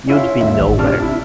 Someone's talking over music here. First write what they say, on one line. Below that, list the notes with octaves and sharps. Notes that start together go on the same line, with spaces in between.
You’d be nowhere.
C#4 E4 F4
D#2 E5
A1
C3 D4 F6
E4